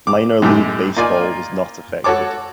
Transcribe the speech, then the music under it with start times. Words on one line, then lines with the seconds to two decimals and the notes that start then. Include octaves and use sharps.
Minor League Baseball was not affected.
0.07 D6
0.42 F#2 A2 G#3 G4 G5
0.96 A#3 D#4 F4 D5 G#5
2.04 F#4 A4 C#5 A5 D6